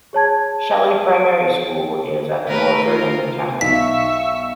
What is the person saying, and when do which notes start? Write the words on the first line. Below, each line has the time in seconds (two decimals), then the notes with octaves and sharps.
Shelley Primary School is at the northern end of town.
0.13 G#4 C#5 A5 G#6
2.48 A3 A#4 B4
2.86 F4 A#4
3.61 B1 D#4 E5 F5 C#6 E6 B6